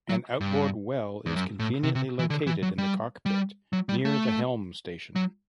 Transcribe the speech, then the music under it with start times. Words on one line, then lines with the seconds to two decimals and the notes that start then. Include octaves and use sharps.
An outboard well is conveniently located in the cockpit near the helm station.
0.09 F#3
0.41 G2
1.26 E2
1.36 F#2
1.59 A2
1.83 C3
1.95 C3
2.19 E3
2.30 D3
2.47 E3
2.62 F#3
2.78 G3
3.26 G3
3.73 F#3
3.89 G3
4.05 A3
5.16 F#3